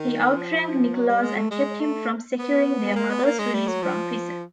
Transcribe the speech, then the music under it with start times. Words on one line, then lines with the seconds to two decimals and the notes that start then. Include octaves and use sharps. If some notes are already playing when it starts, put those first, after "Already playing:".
He outranked Nicholas and kept him from securing their mother's release from prison.
Already playing: D#3
0.36 F3
0.94 F#3
1.08 G3
1.22 G#3
1.37 A3
1.51 G#3
1.80 A3
2.38 B3
2.96 A#3
3.10 B3
3.25 A#3
3.39 G#3
3.54 G3
3.67 F#3
3.83 F3